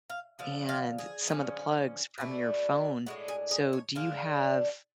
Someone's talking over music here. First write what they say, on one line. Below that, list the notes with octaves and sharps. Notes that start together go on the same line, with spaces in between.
and some of the plugs from your phone, so do you have
F5
D3 F3 B3 F5
F5
G#4
D3 F3 A3 C#4
B2 A3 D4
A2 G#3 D4 F#4
G#4
G#4
C#5
D3 G#3 D4 F5